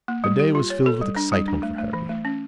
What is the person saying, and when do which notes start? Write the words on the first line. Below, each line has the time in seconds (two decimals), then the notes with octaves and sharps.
The day was filled with excitement for Harry.
0.08 A#3
0.24 G3
0.40 G4
0.55 F4
0.70 C#5
0.86 A4
1.01 G3
1.16 D4
1.32 G3
1.48 D4
1.63 A3
1.78 A3
1.93 E3
2.10 A3
2.25 C#4